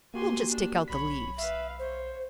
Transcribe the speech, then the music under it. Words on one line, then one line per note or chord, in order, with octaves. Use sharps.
We'll just take out the leaves.
A#3 F#4 G4 G#5 C6
D4
B1 C#5 B5 B6
B4 E5 F5
C5 C#5